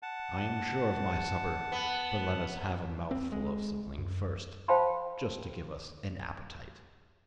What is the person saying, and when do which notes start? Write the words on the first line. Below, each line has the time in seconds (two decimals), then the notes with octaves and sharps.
'I am sure of my supper, but let us have a mouthful of something first, just to give us an appetite.'
0.03 F#5 A5
1.72 B3
3.11 C4
3.32 G#3
3.98 F#2
4.68 C5 F5 G5 A5 B5 C6